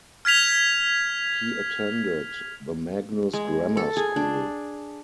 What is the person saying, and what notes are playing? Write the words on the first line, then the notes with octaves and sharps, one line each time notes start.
He attended the Magnus Grammar School.
F6 G#6 B6 F7
G#3
A4
G#4
D4